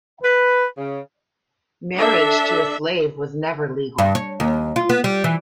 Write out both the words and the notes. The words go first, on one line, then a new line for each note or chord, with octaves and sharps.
Marriage to a slave was never legal.
B4
C#3
D4 A4 E5
G2
C#5
D#2
F4
B3
G3
E3